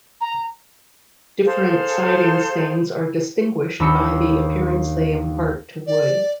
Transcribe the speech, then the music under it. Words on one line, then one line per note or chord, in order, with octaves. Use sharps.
Different siding stains are distinguished by the appearance they impart to wood.
A#5
G#4 A4 C5 F5
D#2 D4 B5 E6 C#7
D5